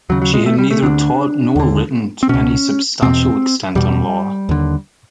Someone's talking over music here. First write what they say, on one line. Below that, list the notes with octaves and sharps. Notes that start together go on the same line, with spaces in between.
She had neither taught nor written to any substantial extent on law.
D#2 C#3 F#3
F#3
G#3
A3
G3
A3
D2 D3 D4
D#2 D3
C4
C#2 B2 C#4
E2 B2 C4
E2 B2 G3
D#2 D3